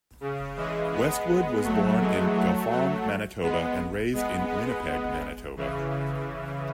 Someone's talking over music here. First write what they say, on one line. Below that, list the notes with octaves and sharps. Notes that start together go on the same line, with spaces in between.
Westwood was born in Dauphin, Manitoba and raised in Winnipeg, Manitoba.
C#3
E3 G#3
G#3 B3
F#3 A3
E3 G#3
F#3 A3
F#3 A3
G#3 B3
G#3 B3
G#3 B3
C#3 E3